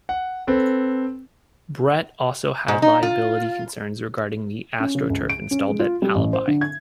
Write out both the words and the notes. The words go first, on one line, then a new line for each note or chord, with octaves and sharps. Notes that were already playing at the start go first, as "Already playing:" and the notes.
Brett also had liability concerns regarding the astroturf installed at Albi.
F#5
C4 A4 B4
G#2
D#4
F4
C#4
C#3
C#2
D7
C#4
G#3
F4
G3
A1
C5
D3
G#6